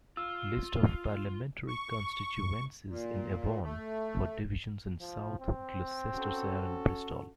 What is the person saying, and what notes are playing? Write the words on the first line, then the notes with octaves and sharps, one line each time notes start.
List of Parliamentary constituencies in Avon for divisions in South Gloucestershire and Bristol.
F4 E6
C#6
A#2
A3
F3
C4
C#4 F#4 A4